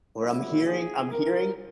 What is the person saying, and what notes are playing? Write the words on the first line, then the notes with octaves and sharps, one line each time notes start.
or I'm hearing I'm hearing
A#1 A#2 F#3 E4
G#4
A#4